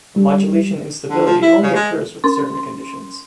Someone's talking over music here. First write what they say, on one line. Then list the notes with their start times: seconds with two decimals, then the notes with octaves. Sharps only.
The modulation instability only occurs with certain conditions.
0.16 G3
1.10 D3
1.26 F3
1.42 E4
1.63 C#3
1.75 G#3
2.24 C#4 C6